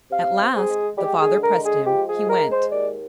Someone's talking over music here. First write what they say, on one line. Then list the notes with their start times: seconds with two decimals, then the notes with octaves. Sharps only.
At last--the father pressed him--he went.
0.11 C3 F5
0.41 C4
0.55 G#4
0.70 G#3
0.98 G#3 G4
1.20 G#4
1.27 D3
1.42 A#4
1.56 G#3
1.64 G#4
1.85 F3 G4
2.07 G#4
2.14 G#3
2.29 A#4
2.43 G#3
2.51 C5
2.72 D#2 D5